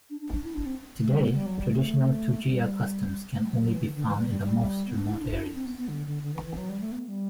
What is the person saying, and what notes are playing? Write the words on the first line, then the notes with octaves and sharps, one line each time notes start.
Today, traditional Tujia customs can only be found in the most remote areas.
D4
D4
D4
E4
D4
C4
A3
G3
B3
G3
F#3
G3
A3
G3
G3
F#3
F#3
E3
D3
D3
E3
G3
G3
G3
B3
D4
E4
D4
E4
D4
C4
B3
B3
D3
D3
D3
E3
E3
F#3
G3
A3
B3
G3